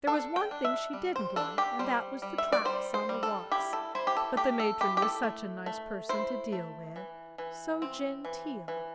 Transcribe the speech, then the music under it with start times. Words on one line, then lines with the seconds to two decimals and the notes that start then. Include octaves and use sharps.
There was one thing she didn't like and that was the tracts on the walks; but the matron was such a nice person to deal with, so genteel.
0.07 D4 A4
0.36 G5
0.51 D4
0.65 E5
0.93 G3
1.16 C5
1.36 D4 A4
1.58 G4
1.79 G3 C5
2.22 G3
2.38 E5
2.53 D5
2.65 G3 C5
2.94 C5
3.09 G3
3.23 A4
3.52 E4 G4
3.73 A4
3.95 E4 C5
4.07 G4
4.17 A4
4.37 A3 G4
4.60 A4
4.81 E4 G4
4.97 G4
5.02 A4
5.23 A3
5.66 A3
6.09 E4 C5
6.52 A3
6.96 E3
7.38 E3
7.82 C4
8.25 E3
8.68 E3